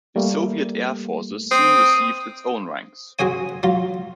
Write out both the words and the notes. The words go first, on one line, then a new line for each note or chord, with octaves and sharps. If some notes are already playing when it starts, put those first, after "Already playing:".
The Soviet Air Forces soon received its own ranks.
G3 A3 A#3
C4 D#6
C4 F#4 G#4 C#5 G#5
F#3 F4